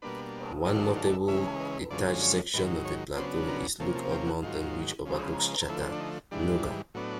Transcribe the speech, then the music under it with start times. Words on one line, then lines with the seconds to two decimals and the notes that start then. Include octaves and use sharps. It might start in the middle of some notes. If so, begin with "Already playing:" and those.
One notable detached section of the Plateau is Lookout Mountain, which overlooks Chattanooga.
0.02 B2 G3 A#3 D4 B4
0.64 G#2 D#3 F#3 A3 D4 D#5
0.73 F5
0.80 E5
0.97 F5
1.12 E5
1.28 C#3 E3 G#3 C#4 E5
1.59 D#5
1.90 F#2 D3 F3 G#3 C#4 D5
2.22 C#5
2.54 G#2 D#3 F#3 B4
2.85 C#5
3.16 C#3 F#3 B3 D4 C5
3.48 A#4
3.80 C3 F3 A#3 C#4 A4
3.95 A4
4.11 G4
4.27 F#4
4.42 G#2 D#3 F#3 F4
5.06 C#3 F3 G#3
5.68 D3 F3 A3 E4
5.92 D4
6.00 D#4
6.31 G#2 E3 G3 D4
6.94 A2 F#3 B3 D4